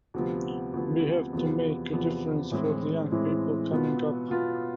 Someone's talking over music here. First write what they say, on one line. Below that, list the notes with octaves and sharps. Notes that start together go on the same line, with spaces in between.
We have to make a difference for the young people coming up.
D2 C3 F3 B3
D2 C3 F3 B3
E2 C3 F3 B3
E2 C3 F3 B3
A2 E3 G#3 C4 E4
A2 E3 G#3 C4 E4
B2 B3 F4
B2 B3 F4